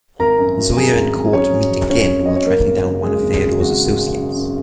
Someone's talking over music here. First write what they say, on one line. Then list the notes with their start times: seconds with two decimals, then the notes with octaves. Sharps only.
Zoya and Court meet again while tracking down one of Feodor’s associates.
0.19 G#1 A#4 A#5
0.38 F#2
0.57 F#3
0.76 F#3 G#4 G#5
0.95 G#1
1.14 G#1
1.33 F#3 C#4 C#5
1.52 F#3
1.70 F#3
1.89 F#2 C#4 C#5
2.09 F#2
2.25 F#3 D#5
2.36 C#5
2.46 F#3 A#3 A#4
2.65 G#1
2.84 C#3
3.03 F#3 G#3 G#4
3.22 G#1
3.41 C#3
3.53 G#4
3.60 G#1 F#4
3.79 C#3
3.98 C#3
4.16 F#2
4.36 F#2